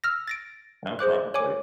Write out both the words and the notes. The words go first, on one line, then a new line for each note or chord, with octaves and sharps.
Oh, probably.
E6 F6 A#6
A6 A#6 D7
G#4 C5 D6 F#6
C#5 G#5 D6